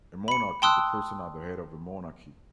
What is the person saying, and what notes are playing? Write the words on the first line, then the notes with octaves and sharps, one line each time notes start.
A monarch is the person at the head of a monarchy.
B5 C#7
G5 A5 C6 D#6 E6 F#6